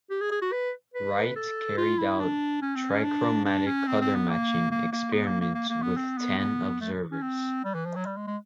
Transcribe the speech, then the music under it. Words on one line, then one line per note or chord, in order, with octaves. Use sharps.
Wright carried out trichromatic color matching experiments with ten observers.
G4
G#4
G#4
F#4
B4
B4
A4
F4
E4
D4
C#4
C4
C#4
D4
D4
C#4
C4
C4
B3
A#3
A#3
A#3
B3
A#3
A#3
A#3
A#3
B3
C4
B3
B3
A3
C#4
C4
G3
E3
F3
F#3
G3
G#3
G#3